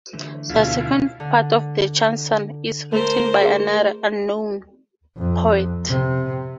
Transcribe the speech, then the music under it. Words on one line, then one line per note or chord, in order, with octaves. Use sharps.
The second part of the "Chanson" is written by another, unknown, poet.
D3 E3 A3
D2 B2 E4 F4 F5
D3
A3 A#4 C5
G#4
F2
C3